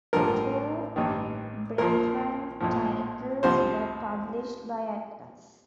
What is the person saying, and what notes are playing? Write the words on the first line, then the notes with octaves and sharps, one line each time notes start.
Two brethren titles were published by Atlas.
A1 G2 D3 F3 A#4
A1 G2 D#3
A#1 A#2 F3 A#4
A#1 A2 F3
C2 C3 F3 C5